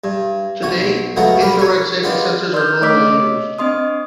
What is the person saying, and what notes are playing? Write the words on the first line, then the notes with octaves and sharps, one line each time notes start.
Today, infrared safety sensors are normally used.
G2
B1 F#4 G#5
C#2 F#3 A3 B3 F#4 A#5
G4 A#4 B4
A#4 C#5
G#3 B3 D4 F4 G4
D5 C6 E6 F6 G6
A3 C#5 D#5 D6 E6 B6
D#5
C4 D4 D#5 C6 D#6